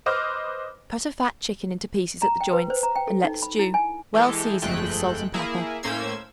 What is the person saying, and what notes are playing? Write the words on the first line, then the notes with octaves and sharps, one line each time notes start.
Cut a fat chicken into pieces at the joints and let stew, well seasoned with salt and pepper.
B4 C5 D#5 D6 F6
A#5
G5
B4
C5
A#5
G5
A4
D#4
B5
E4
G#5
E3 G#3 G4 A4
G1 F2 G#3 A3 G5 F#6
A#3 E4 G#4
A2 A#3 C#4 C5 E6 G#6